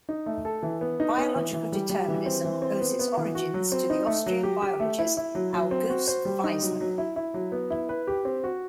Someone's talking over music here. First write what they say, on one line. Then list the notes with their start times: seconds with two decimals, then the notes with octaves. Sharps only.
Biological determinism owes its origins to the Austrian biologist August Weismann.
0.09 D#4
0.26 A3
0.45 A4
0.63 E3
0.81 B3
1.00 D#4
1.18 B3
1.35 E3
1.53 E3
1.72 G3
1.90 G3
2.08 E3
2.26 C4
2.44 E3
2.62 C4
2.80 B3
2.99 B3
3.17 E3
3.35 F#4
3.54 F#3
3.72 C4
3.90 D#4
4.07 A3
4.26 F#3
4.43 G4
4.62 G4
4.80 A3
4.99 E4
5.17 E4
5.35 F#3
5.53 F#3
5.71 C4
5.90 F#4
6.08 C5
6.25 G3
6.44 D#4
6.62 F#3
6.81 F#3
6.98 E4
7.16 E4
7.34 F#3
7.52 B3
7.70 E4
7.89 B4
8.07 G4
8.25 C4
8.44 F#4